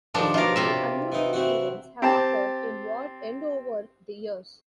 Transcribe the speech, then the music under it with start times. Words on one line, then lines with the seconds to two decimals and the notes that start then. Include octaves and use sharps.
Several unusual events have occurred in Ward End over the years.
0.14 D3 D#3 F3 G3 D4
0.34 B2 F4 A#4 C#5 D6
0.56 C3 F4 E5
1.12 E3 D#4
1.33 E3 C4 F#4
2.02 C4 G4 A5